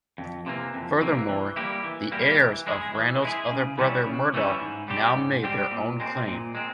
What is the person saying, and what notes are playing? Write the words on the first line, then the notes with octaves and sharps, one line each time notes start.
Furthermore, the heirs of Ranald's other brother Murdoch now made their own claim.
F2
C3 E3 A#3
F2
C3 E3 A#3
E3
G3 A#3 E4 G4
E3
G3 A#3 E4 G4
E3
G#3 E4 G#4
E3
G#3 E4 G#4
C#3
E3 G3 C#4 E4
C#3
E3 G3 C#4 E4
G#2
G3 C4 G4
G#2
G3 C4 G4
A#2
G#3 C4
A#2
G#3 C4